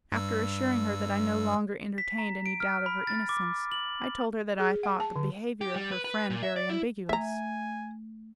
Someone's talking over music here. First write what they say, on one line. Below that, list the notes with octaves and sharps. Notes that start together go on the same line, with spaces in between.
After assuring her that I no longer entertained any doubt of her innocence, I told her that I thought the behaviour of her friend very ambiguous.
G2 G3 E6
B6
A#5
D7
F6
B5
A6
D6
F#7
G#4
F#5
A5
D3
G4
G3
B4
B4
A#2
E5
D5
E4
A3 E5 G#5 A#5